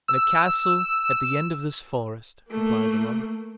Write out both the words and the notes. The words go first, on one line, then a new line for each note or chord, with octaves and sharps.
"In a castle at the end of this forest," replied the lover.
E6
A3 A#3